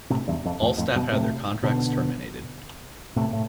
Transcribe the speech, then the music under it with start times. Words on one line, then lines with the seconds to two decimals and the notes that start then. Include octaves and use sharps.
All staff had their contracts terminated.
0.10 A2 C3
0.28 E2 G2
0.45 F2
0.62 F2 A2
0.78 F2 A2
0.95 G2 B2
1.12 A2 C3
1.63 B2 D3
3.16 A2 C3
3.33 A2